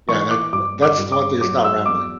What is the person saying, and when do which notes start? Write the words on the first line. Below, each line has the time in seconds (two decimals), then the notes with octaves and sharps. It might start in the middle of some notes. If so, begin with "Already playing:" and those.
Yeah, that that's the one thing that's not rambling.
0.08 E3 C#6
0.31 D6
0.53 G2 D6
0.82 D6
0.98 G2
1.12 D6
1.41 F#3 D6
1.64 E6
1.86 E2 D6